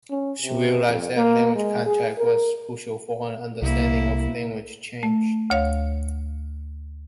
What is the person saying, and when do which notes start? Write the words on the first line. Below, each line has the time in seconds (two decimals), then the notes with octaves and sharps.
She realized that language contact was crucial for an understanding of language change.
0.10 C#4
0.42 C3
0.86 F2
1.16 A#3
1.55 G#3
1.86 G#4
2.18 A#4
3.62 C2 A#3 E4
5.03 A3
5.50 D2 C#5 F5